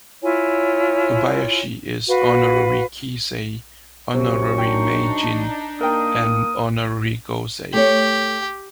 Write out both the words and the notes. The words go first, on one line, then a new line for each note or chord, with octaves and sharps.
Kobayashi is Honorary Kisei, Honorary Meijin and Honorary Gosei.
E4 F4 C#5 G#5
F#4 B4 F5
F#2 C3 C4 C#6
D4 D#4 G5
A#3 A#4 G5 D#6
A3 G4 C#5